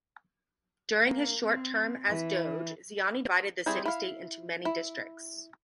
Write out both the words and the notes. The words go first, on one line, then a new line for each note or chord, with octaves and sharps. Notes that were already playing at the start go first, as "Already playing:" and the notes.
During his short term as Doge, Ziani divided the city-state into many districts.
A#3
C4
E3
G3 C4 E4 G#4
E4 F5
E4